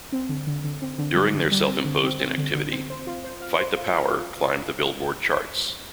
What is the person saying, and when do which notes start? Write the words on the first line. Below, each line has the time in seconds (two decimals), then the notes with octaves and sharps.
During their self-imposed inactivity, "Fight the Power" climbed the "Billboard" charts.
0.12 C4
0.29 D3
0.47 D3
0.64 D3
0.82 C4
0.98 D3
1.16 G3
1.34 D3
1.51 G3
1.68 C4
1.85 D3
2.03 C4
2.20 C4
2.38 D3
2.55 D3
2.72 C4
2.90 C5
3.07 F4
3.24 C5
3.41 F5
3.59 C5
3.77 F4
3.94 F5
4.11 F4